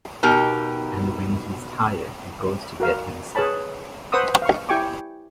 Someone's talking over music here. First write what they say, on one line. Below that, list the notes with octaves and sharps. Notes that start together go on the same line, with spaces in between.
And when he's tired he goes to bed himself.
B2 D#4 G4 A#4 G5
F#4 A#4 F5
G#4 B4 C#5 A5 B5
B4 C5 F#5 C#6 D#6 E6
F5 C#6
E4 G4 G5 G#5 C#6 D6